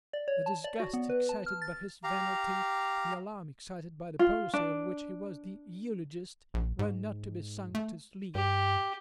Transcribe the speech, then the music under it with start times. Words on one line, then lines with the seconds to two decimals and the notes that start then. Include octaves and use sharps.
The disgust excited by his venality, the alarm excited by the policy of which he was the eulogist, were not to be sung to sleep.
0.13 D5
0.28 C#5
0.46 A5
0.64 D5
0.80 F#4
0.94 B3
1.09 B4
1.29 A5
1.46 F6
1.62 A6
2.04 G4 F5 A#5
4.19 F4
4.54 D4
6.54 A#1
6.79 G#2
7.75 A3
8.35 G2 G4